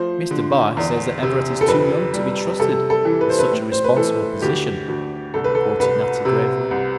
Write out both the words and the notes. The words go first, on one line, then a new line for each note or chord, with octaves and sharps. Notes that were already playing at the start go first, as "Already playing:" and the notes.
"Mr. Barr says that Everett is too young to be trusted in such a responsible position," quoted Natty gravely.
Already playing: F3 A3 C5
D3
E2
C3
A4
F2 B4
G3
C3 A4
A4
E3
B4
C5
B4
A2
C5
B4
E3 A4
D2 G4
D2
C2 A4
B4
A4
C2 B4
C3
C2